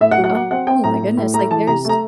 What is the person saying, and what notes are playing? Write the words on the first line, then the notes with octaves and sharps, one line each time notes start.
"Oh my goodness, like, there's"
A2 E5
F#5
F#3
F#5
F#3 F#5
C4 F#5
C4 G5
A2 A#5
A2
A2
A3 A#5
E3 A5
C3 A#5
A3 A#5